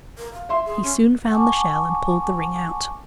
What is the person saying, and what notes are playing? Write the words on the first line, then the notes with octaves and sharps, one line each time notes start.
He soon found the shell, and pulled the ring out.
A#4
F5
E5 C6
G#4
C#4
F#5 G#5 A5 C#6 D6